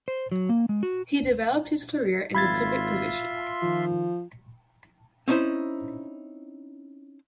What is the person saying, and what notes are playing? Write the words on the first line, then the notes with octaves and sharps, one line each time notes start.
He developed his career in the pivot position.
C5
F#3
A#3
G#3
F#4
G#1 F4 E5 B5 C6 G#6 A6
D#3 F3
C4 C#4 D#4 E4 C5